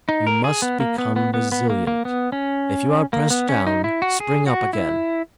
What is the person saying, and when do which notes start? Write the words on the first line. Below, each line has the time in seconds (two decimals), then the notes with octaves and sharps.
You must become resilient; if you are pressed down, spring up again.
0.09 D#4
0.27 A#4
0.44 G#4
0.62 B3
0.80 A#3
0.98 B3
1.16 B3
1.34 B3
1.52 B3
1.70 A#3
1.87 A#3
2.05 B3
2.32 C#4
3.13 A#3
3.30 B3
3.49 C#4
3.67 D#4
3.84 E4
4.02 F#4
4.20 G#4
4.47 F#4
4.73 E4